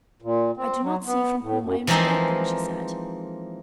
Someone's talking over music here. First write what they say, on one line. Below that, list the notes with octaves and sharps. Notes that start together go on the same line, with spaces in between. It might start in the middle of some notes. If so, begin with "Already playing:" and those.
"I do not see from whom I am to get them," she said.
A#2
C4
F#3
B3
A2
F#2
E3 F3 G#3 A#3 C4 D#4